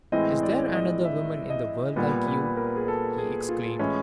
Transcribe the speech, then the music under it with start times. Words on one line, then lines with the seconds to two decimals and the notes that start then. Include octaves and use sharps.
"Is there another woman in the world like you!" he exclaimed.
0.12 A2 E3 G#3 C4 D#5
0.43 D5
0.74 D#5
1.05 E5
1.50 D#5
1.96 A#2 G3 B3 B4
2.27 B4
2.57 A#4
2.76 G#4
2.88 A4
3.18 G#4
3.49 F4
3.79 A2 E3 G#3 C#4